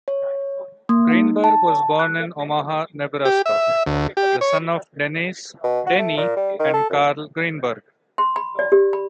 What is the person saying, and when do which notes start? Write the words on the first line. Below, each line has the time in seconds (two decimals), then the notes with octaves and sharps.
Greenberg was born in Omaha, Nebraska, the son of Denise "Denny" and Carl Greenberg.
0.08 C#5
0.89 A#3
1.12 D#4
1.44 A5
1.99 F#6
3.25 G4
3.46 E5
3.87 D2
4.17 G4
4.41 C#5
5.64 B2
5.86 F#4
5.99 A3
6.17 A#2
6.36 G3
6.59 D#3
6.74 A4
6.90 F#2
8.18 C6
8.36 B5
8.59 D5
8.72 G4
8.93 B5